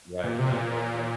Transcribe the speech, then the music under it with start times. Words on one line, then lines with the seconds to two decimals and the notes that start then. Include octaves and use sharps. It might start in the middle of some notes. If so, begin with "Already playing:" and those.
Right, right, right, right.
0.24 A#2
0.39 C3
0.52 A#2